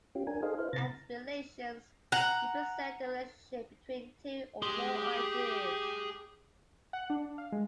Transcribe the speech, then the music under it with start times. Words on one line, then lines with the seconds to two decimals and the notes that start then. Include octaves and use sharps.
And relations represent the relationship between two or more ideas.
0.15 C#4 F4 G4
0.27 D4 A#4 G#5
0.43 D#4 G#4 A4 C5 D#5 F5
0.59 E4 B4 C5 F5
0.73 C3 A#5 A6
2.12 F#5 A#5
4.62 G4 G#4 C6
6.93 F#5
7.10 D4
7.38 F5
7.52 G#3